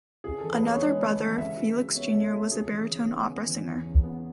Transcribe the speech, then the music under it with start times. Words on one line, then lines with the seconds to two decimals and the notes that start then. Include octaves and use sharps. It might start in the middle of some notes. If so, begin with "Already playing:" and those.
Another brother, Felix Junior was a baritone opera singer.
0.24 C#3 G#4
0.38 E3 A4
0.53 B4
0.62 B3 C#5
0.81 G#3
1.00 C#3
1.19 E3
1.38 C#3 E5
1.57 F#3
1.76 C#3
1.95 B3 C#5
2.14 C#3 A4
2.33 F#3 A4
2.52 C#3 G#4
2.71 E3
2.90 C#3
3.09 B3
3.28 C#3
3.47 E3
3.65 E2
3.84 C#3
4.03 B3